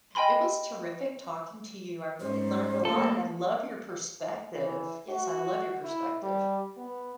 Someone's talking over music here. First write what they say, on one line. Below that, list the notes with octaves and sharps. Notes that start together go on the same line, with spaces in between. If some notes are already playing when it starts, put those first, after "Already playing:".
it was terrific talking to you I really learned a lot and I love your perspective yes, I love your perspective.
D#5 G5 G#5 B5 C6
G#2 C#4 C5
A3 A#3 A4
E3
F#4
E4
G3
B3